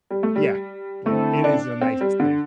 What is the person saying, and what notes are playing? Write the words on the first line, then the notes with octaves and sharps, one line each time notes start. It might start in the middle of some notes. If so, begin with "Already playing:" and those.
Yeah. Yeah, it is a nice thing.
G3
A3
G3
D3 A3 C4 E4 A4
D4
C4
G3
D3